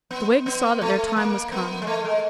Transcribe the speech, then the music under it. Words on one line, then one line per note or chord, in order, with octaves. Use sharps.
The Whigs saw that their time was come.
B3
B3
A3
A#3
B3
G#3
A3
G#3